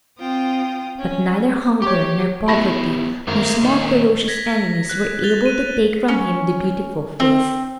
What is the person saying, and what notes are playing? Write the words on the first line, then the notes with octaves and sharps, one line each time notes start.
But neither hunger, nor poverty, nor small ferocious enemies were able to take from him the beautiful face.
C4 F4 G5 D#6
C#4
G4 C#5 D6
B3 E4 G4 B5 A#6
G#1 A3 A#4
A#2 D#3 D#4
G#6 A#6 B6
F#6
F#6 A6 F7 G7
D#7
C#4
C4